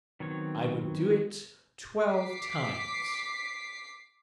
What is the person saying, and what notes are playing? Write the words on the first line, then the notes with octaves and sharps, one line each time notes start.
I would do it twelve times.
D#3 F#3 B3 C4 C#5
D6 B6 C7